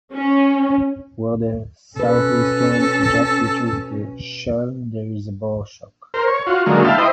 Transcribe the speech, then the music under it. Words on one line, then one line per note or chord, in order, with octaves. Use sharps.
Where the southeastern jet reaches the shell there is a bow-shock.
C#4
B2 C#4 A4 B4
A#4 C5
C#5
F4 F#4
D3 F#3 G#3 A#3
E4 F5 G5 A5
E4 C5 D#5 G5